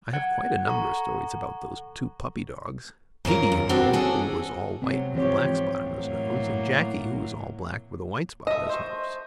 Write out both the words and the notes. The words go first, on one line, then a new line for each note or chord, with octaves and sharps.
I have quite a number of stories about those two puppy dogs; Peetie, you know, who was all white with a black spot on his nose, and Jackie, who was all black with a white spot on his nose.
F#5 G#6
A4 A#5 C#6
G#2 C#4 F4 A#4
F#2
G3 C4 D4 F#4
C#4 D4 G#4 A4
C3 F#3 C4
G#2 E3 F3 C4 G4 C#5
A2 F#3 A#3
A4 D#5 E5
C5 C#6